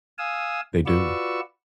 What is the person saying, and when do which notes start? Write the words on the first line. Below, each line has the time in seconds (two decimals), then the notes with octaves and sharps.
They do.
0.18 F5 G#5 D#6 E6
0.86 F4 F#4 B4 D5 C#6 E6